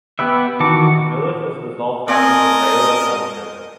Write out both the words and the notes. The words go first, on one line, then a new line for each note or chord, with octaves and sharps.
The village was dissolved back into Scioto Township.
B3 G4 B4 E5
D#3 E3 F#4 A5 D6
C4 A#4 D5 D#5 G#5 A5